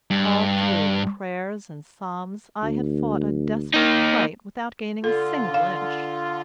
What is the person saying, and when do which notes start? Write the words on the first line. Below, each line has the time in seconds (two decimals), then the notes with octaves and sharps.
All through the prayers and psalms I had fought a desperate fight without gaining a single inch.
0.11 G2
2.63 D2
3.74 A#3 D#4
5.04 D3 F4 A4
5.54 F5